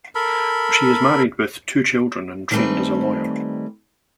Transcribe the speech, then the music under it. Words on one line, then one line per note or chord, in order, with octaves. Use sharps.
She is married with two children and trained as a lawyer.
A4 A#4 B5
D#3 G3 A3 C4 G#4 B4